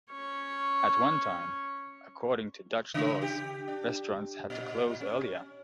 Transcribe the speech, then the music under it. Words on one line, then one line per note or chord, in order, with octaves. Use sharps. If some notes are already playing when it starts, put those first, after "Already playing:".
At one time, according to Dutch laws restaurants had to close earlier.
C#4 C#5
C#3
G4
D4
A#2
C#4